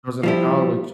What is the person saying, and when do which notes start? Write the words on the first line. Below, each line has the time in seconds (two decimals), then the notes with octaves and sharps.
I was into college,
0.23 F3 G3 E4